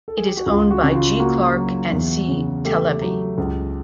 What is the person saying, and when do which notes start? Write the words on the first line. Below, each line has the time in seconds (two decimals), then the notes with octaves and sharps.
It is owned by G Clarke and C Talevi.
0.08 A4
0.17 G#4
0.27 G4
0.37 F#4
0.46 C#2 F4
0.71 F#4
0.83 C#3
0.95 F4
1.20 A#3 F#4
1.55 F#3
1.92 E2
2.28 C#3
2.65 A3 G4
3.01 F#3
3.38 C#2